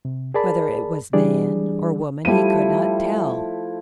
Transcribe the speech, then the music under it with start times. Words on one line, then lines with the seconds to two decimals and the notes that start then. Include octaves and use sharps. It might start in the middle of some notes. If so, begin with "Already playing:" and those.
Whether it was man or woman he could not tell.
0.05 C3
0.34 G#4 A#4 D5 A5 B5
1.13 E3 G3 D4 G#4 D5
2.25 F3 G3 A3 E4 D#7